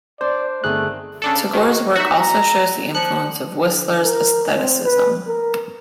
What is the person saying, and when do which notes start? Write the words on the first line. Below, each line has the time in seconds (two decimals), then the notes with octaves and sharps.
Tagore's work also shows the influence of Whistler's Aestheticism.
0.21 D4 C5 D5
0.64 G1 D#3 A3 C4 G#4 F#6
1.22 C#3 D4 A4
1.53 D#3 F#4
1.96 D#4 F#4 E5
2.20 A#5
2.95 F3 F#6 C#7
3.56 D3
4.04 A#4
4.55 C4
4.85 B4
5.27 A#4